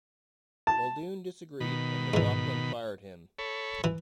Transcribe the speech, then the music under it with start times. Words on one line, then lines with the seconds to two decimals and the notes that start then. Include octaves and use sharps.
Muldoon disagreed, and McLaughlin fired him.
0.67 A5
1.60 B2 D#3 B5
2.14 G#2 E3
3.39 A4 C#5 B5
3.84 E3